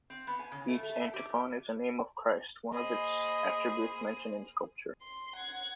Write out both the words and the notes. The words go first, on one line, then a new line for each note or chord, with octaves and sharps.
Each antiphon is a name of Christ, one of his attributes mentioned in Scripture.
C4
B3
G#5
C#3
A3
A3
A5
G4
A#3 G#4 C5 D#5 B5
C6
F#5 G#6